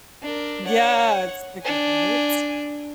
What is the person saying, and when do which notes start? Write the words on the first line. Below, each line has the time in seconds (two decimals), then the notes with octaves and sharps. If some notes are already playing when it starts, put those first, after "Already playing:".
Yeah, it's like, "What?"
0.22 D4 A#4
0.65 C#5 F#5
1.63 D4 G#5